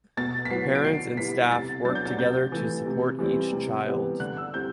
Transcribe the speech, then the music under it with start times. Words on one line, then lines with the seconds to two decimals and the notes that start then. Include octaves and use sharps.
Parents and staff work together to support each child.
0.17 B2 A6
0.45 B6
0.50 F#3 B3 E4 C7
0.75 D7
0.84 D3 C7
1.17 G3 B3 E4 B6
1.51 C3 A6
1.85 F#3 B3 D4 A6
1.95 G6
2.06 A6
2.18 C3 G6
2.52 E3 A3
2.86 C3
3.19 E3 G3 C4 E4
3.53 C3
3.86 E3 G3 B3
4.20 D3 F#6
4.37 E6
4.54 G3 C4 E4 G6